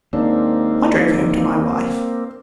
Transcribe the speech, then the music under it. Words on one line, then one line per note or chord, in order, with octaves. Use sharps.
I drove home to my wife.
D#2 G#2 A#3 C4 D4